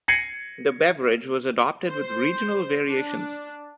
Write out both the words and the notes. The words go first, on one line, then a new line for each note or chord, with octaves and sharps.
The beverage was adopted with regional variations.
G#6 A#6 C7 C#7 D#7 F#7
C5
D4